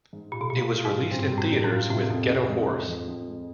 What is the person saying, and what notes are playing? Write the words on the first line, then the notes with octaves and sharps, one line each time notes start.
It was released in theaters with Get a Horse!
G#2
A#2 F4
B2
A#2 F4
F4
G#2
G3
G2 C4
G3
A2
G3
A2
F4
A2 C3
F2
C3
G#3
F2
F3
F2
G#3